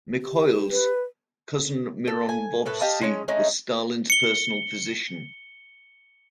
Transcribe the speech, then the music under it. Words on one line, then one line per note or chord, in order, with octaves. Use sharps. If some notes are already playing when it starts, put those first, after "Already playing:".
Mikhoels' cousin Miron Vovsi was Stalin's personal physician.
G4
B4
A4
G#5
A2 A4 B4
G4 D#5 F5 A5
G#3 C#4
G#3 A3 C#4 D#4
C#7 G7